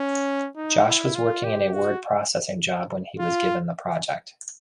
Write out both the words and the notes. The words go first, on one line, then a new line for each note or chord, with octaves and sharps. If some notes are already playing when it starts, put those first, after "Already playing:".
Josh was working in a word processing job when he was given the project.
Already playing: C#4
D#4
E4
F4
G4
F#4
F4